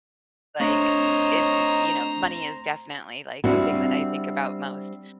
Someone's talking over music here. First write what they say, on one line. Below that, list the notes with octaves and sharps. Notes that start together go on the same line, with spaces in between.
like, if you know, money is definitely like the thing that I think about most.
A3 C4 D4 C5 C#5 D#5 A#5
G3 C4 D4 E4 F#4